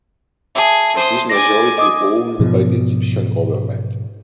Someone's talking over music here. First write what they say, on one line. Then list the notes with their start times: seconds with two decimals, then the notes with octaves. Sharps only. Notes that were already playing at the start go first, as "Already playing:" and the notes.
It is majority owned by the Egyptian government.
0.55 G#4 E5 A5
0.96 C5 D#6
1.30 D5 G#5 A#6
1.78 D#5 D6 D#6
2.39 G#2 B2 F3